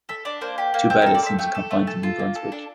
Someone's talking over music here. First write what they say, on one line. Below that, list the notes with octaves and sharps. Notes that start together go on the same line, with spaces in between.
Too bad it seems confined to New Brunswick.
A4 E5
D4 D5
A#3 C5
G4
A#3
C4 C5
A#4
A4
D5
C4 E5
A3 G5
A4
A3
A4 A5
F4
A#3
A4
D4